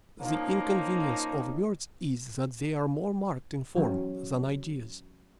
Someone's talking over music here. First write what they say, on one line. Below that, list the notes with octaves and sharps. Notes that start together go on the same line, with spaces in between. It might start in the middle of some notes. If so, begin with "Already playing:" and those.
The inconvenience of words is that they are more marked in form than ideas.
F3 A#3 C#4 D#4
E3 F#3 C#4